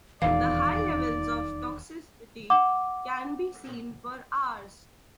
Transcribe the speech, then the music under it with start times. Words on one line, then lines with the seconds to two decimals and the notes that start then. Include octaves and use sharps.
The high levels of toxicity can be seen for hours.
0.22 D#1 E2 E3 D#4 D5 F5
2.50 F#5 D6